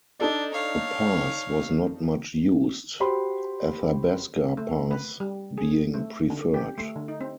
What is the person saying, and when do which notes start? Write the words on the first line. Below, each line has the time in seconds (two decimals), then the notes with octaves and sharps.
The pass was not much used, Athabasca Pass being preferred.
0.20 D4 D#4 A4 D5
0.54 C#5 F5
3.00 F#4 G4 C5 B5 C6
4.57 A3
4.91 B4
5.20 G3
5.58 G#4
5.94 A3
6.30 D3
6.54 G4
6.78 A3
6.96 D3
7.08 D#4
7.21 C4